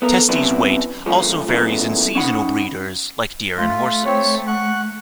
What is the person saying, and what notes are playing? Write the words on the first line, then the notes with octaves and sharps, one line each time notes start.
Testis weight also varies in seasonal breeders like deer and horses.
B3 A4 A#4
F#2 C3 B3 C#4 D4 E4
G2 A#2 F3 A3 C#4
E2 A#2 C#3 E3 F#3 A3
C#4 D#4 F#5 B5
A3 F4
C4 C#5
F#5 C#6 F#6